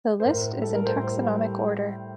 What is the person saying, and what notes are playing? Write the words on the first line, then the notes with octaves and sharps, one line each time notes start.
The list is in taxonomic order.
C5
A2 A#4
G3
A4
A#4
A2 C5
G3